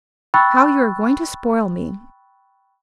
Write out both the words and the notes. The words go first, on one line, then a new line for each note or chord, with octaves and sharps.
How you are going to spoil me!
G5 B5 C#6 E6 F#6 A6